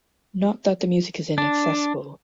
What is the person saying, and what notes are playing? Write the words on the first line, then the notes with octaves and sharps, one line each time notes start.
Not that the music is inaccessible.
D4